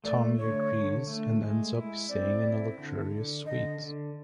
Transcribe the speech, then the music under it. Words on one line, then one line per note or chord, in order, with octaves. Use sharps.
Tommy agrees and ends up staying in a luxurious suite.
A3 D5
D3 C#5
D3
A3
G#3
E4
C4 D5
E4
D3
D3
D3 D#5
D3